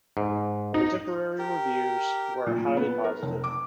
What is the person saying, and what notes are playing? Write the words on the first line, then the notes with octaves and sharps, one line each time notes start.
Contemporary reviews were highly positive.
G#2
D#4
G4 A#4
A#2
A#2
B3
A#4
F1
D6